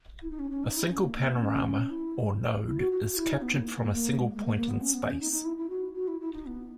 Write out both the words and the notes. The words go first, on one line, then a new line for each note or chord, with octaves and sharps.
A single panorama, or "node" is captured from a single point in space.
E4
D#4
C#4
C#4
D#4
E4
C#4
A#3
A#3
B3
C#4
C#4
E4
E4
F#4
F#4
F#4
E4
D#4
B3
A#3
A#3
A#3
G#3
G#3
A#3
A#3
B3
C#4
B3
C#4
D#4
D#4
E4
E4
F#4
F#4
E4
E4
D#4
B3